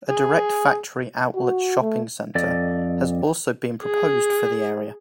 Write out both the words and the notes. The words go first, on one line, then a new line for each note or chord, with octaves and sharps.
A Direct Factory Outlets shopping centre has also been proposed for the area.
G#4
F#4
A3
F2 A4 D5 D#5
G#4